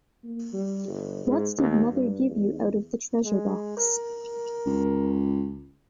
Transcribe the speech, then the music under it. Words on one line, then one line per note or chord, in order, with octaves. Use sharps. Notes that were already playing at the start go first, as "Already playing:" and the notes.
What did mother give you out of the treasure-box?
A#3
G3
G1
G#2
D#2
G2
E2
G#3
A#4
C#2